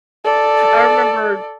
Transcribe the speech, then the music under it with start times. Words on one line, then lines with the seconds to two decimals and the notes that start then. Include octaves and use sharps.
I remember
0.24 A4 D5